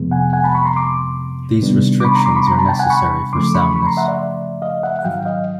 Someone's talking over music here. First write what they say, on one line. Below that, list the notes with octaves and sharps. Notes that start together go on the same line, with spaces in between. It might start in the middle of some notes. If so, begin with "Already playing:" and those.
These restrictions are necessary for soundness.
Already playing: F2 C3 F3 G#3 B3
F#5 G#5
F#5 G#5
A5 B5
B5 C#6
A#5 C6
C6 D6
C3 D#3 G3 B3 D4
D6
B5 C#6
A#5 C6
C6 D6
B5 C#6
A#5 C6
A5 B5
G5 A5
F#5 G#5
B5 C#6
F#2 C#3 F3 A3 C6 D6
B5 C#6
B5 C#6
A#5 C6
E5 F#5
D5 E5
D#5 F5
E5 F#5
F#5
G#2 D#3 F#3 F5 G5
D#5 F5